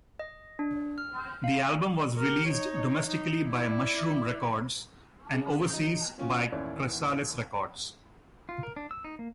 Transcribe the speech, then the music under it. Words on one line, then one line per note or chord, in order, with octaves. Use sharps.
The album was released domestically by Mushroom Records, and overseas by Chrysalis Records.
D#5
D4
F6
F5
G4 A#4
D#4 C#5
D#4
E4 D5
C#3
F#3 D#4
F3 C#4 F4 F#4
A1 D#2 C#4 E4 C#5 D5
F4
A#4
D4
E6
D#4
A#3